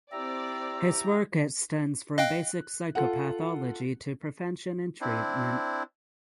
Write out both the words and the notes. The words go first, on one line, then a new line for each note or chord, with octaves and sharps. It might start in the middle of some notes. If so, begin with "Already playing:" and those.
His work extends from basic psychopathology to prevention and treatment.
C4 E4 G4 D5 A#5 E6
D#5 F5 G5 F#6
F4 A4 F#5
C4 D4 E4